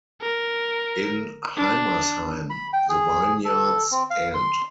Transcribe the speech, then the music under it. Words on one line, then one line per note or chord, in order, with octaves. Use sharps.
In Heimersheim, the vineyards end.
A#4
D4
B5
G5
G#4
A4
C4
F5
C6